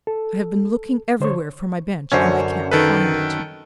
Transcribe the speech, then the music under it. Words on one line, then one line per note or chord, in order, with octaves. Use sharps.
I have been looking everywhere for my bench, and I can't find it.
A4
D3 C5 C#5 C#6
F#2 D3 C#4 C5 C#5
D#3 A4 B4